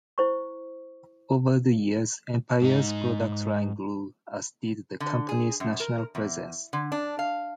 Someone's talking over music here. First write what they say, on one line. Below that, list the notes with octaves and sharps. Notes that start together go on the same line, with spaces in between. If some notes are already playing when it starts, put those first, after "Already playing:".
Over the years, Empire's product line grew, as did the company's national presence.
E4 C5 C#6
G#2 D#4
D3
G#4
F#2
A#4
E2
D3
D4
F5